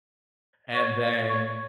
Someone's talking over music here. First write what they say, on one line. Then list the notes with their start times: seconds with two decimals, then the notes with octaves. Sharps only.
and then
0.75 C#5
1.29 C#5